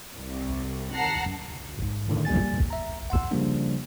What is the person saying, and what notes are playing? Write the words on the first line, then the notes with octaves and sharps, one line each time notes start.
They are usually used as cargo ships.
C2
F#5 A5 A#5 C7
G#2
A2 D3 D#3
G3 A#3 G#5 A6
E5 A#5
F#5 C6 E6
C#3 F3 G3 A#3 D4